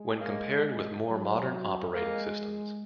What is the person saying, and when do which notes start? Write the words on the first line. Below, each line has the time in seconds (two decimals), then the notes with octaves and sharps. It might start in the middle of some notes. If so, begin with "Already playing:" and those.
When compared with more modern operating systems.
Already playing: G#3
0.20 A#3
1.08 F#3
1.94 G#3 A#3